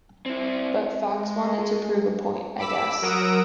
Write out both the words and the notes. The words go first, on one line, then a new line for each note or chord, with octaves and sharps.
But Fox wanted to prove a point, I guess.
C4 E4
G#3
B5 D6 E6 B6
F#3 A#4 F#5 D#6 E6 D7